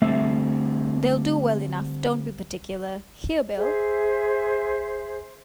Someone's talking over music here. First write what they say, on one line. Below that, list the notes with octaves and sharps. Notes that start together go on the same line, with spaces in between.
They’ll do well enough; don’t be particular—Here, Bill!
D3 G3 A3 C4 E5
G#4 C5 E5